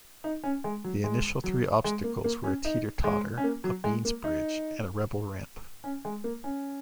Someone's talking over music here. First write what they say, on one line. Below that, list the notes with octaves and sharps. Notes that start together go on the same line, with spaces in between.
The initial three obstacles were a Teeter-Totter, a Beanz Bridge, and a Rebel Ramp.
D#4
C#4
G#3
F#3
G#3
F#3
G#3
A#3
A#3
C#4
D#4
G#3
C#4
A#3
F#3
G#3
A#3
D#4
C#4
G#3
A#3
C#4